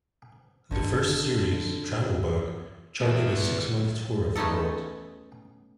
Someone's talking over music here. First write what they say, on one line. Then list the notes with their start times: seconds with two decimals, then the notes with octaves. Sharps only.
The first series, "Travel Bug", charted a six-month tour of the world.
0.71 G#1 D3 D#3 C#7
3.01 B3 E4
4.35 A3 B3 C#4 D#4 A4